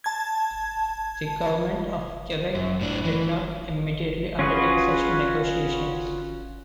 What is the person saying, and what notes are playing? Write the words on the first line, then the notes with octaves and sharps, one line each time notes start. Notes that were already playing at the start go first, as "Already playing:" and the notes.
The government of Quebec did not immediately undertake such negotiations.
A5 G#6
F#2
A2 D4
E3
C#4 F4 F#4 G#4 B4